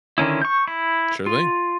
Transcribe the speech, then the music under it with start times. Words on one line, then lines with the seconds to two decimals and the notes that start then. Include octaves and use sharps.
Sure thing.
0.18 D3 D#3 C#4 E4
0.42 C#6 G6
0.68 E4
1.26 F4